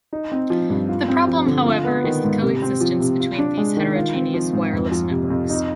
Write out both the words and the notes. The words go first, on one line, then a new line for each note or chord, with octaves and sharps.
The problem, however, is the coexistence between these heterogeneous wireless networks.
D#4
C4
F3
G2
F4
C4
F3
D3
F4
B3
D#3
G#2
C3
C4
F3
C3
F4
D4
G#3
D#3
F4
C4
F3
G#2
F2
F3
C3
F2
D#4